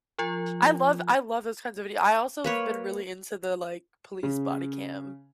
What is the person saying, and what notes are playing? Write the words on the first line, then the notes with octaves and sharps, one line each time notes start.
I love I love those kinds of videos. I also have been really into the, like, police body cam
F3 F4
A#3 B4 C#5
C#3